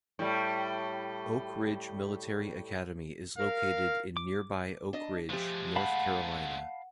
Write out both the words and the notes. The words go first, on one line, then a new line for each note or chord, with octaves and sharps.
Oak Ridge Military Academy is located in nearby Oak Ridge, North Carolina.
A2 G3
A#4 F5
D6
D4 D#5
F3 G#3 A3 G4
F5 F#5 A5 B5